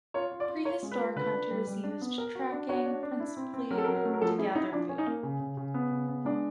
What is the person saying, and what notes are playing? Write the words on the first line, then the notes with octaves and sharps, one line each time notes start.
Prehistoric hunters used tracking principally to gather food.
F4 C#5
F4
D5
F4
F4 C#5
G#3
B4
F4
D3 B4
D4
G3
G3
D4
B3
A#4
F#4
D4
F#4 C#5
D4
D4
E4
C4
C4
F#3 A#4
A4
A#4
F#3
A#4
A3
A#4
F3 A4
E4 G#4
D#4 E4
F3 D4
C#4
D#4
A#3
C#3
C#3
C#3
B3
C#3
B3
G#3 D4